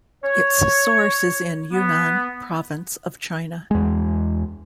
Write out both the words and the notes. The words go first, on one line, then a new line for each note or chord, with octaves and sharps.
Its source is in Yunnan province of China.
C#5
B3
E2 G#3